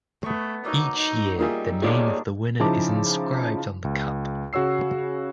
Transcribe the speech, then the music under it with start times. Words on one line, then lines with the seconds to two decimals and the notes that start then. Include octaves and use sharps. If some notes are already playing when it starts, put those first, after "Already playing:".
Each year, the name of the winner is inscribed on the Cup.
0.24 A3 B3 C#6
0.65 F#3 A#3 D#4
0.96 D#4
1.39 G3 A#3 D#4 F4 G#4 E5
1.82 A#2 D#3 D4 F4 G#4 C#5 D5
2.60 C#3 F3 D#4 E4 A5 D6
3.84 C#2
4.53 C#3 F#4 C#5 E6 C7